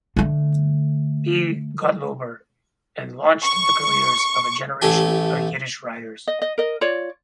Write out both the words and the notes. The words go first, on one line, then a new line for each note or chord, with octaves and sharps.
B. Gotlober, and launched the careers of a generation of Yiddish writers.
D3 A3
C#6
A1 A3 G4 A4 G5 G#5
D#5
D#5
A#4 D#5
F4 C#5 D5